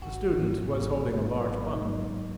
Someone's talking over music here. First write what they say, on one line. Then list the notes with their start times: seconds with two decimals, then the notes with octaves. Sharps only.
The student was holding a large bundle.
0.02 G#1 F#4
0.39 G#2 F#3 A#3
0.75 G#1
1.12 G#2 F#3 A#3
1.48 G#1 D#4
1.73 D#4
1.85 G#2 F#3 A#3